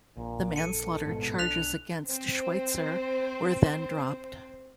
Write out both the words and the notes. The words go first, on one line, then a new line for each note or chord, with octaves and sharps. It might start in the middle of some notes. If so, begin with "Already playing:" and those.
The manslaughter charges against Schweitzer were then dropped.
A#1 A#2
A4 C#7 D#7
A1 G#2 B2
B1 D4 F#6 B6 F7
C4 C5